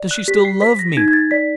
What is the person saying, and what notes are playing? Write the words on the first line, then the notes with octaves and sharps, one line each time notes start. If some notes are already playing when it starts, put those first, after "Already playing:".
Does she still love me?
Already playing: D5
F#6
G4 B6
C7
C5 B6
A#6
D#4 G#6
G#6
A6
D5 B6